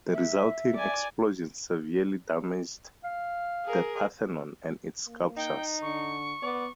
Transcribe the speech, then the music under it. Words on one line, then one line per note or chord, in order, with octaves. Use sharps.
The resulting explosion severely damaged the Parthenon and its sculptures.
E5
D5 G#5
F5
G#4 A#4
A#3
D#4 G5
D3 C#6
B3 D5